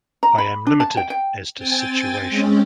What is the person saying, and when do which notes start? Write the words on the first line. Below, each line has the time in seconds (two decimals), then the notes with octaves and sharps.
I am limited as to situation.
0.23 A#5
0.38 B5
0.67 D4
0.80 A5
0.97 G5
1.10 G5
1.57 C4 G5 G#5 A6
2.30 G#3 C4 C#4